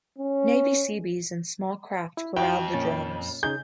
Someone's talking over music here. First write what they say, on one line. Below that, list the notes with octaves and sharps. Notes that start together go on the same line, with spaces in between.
Navy Seabees in small craft corralled the drums.
C#4
E4
F2 E4 F#4 G5
A#2 C#4 A6
C#3 D#4 G#4 G6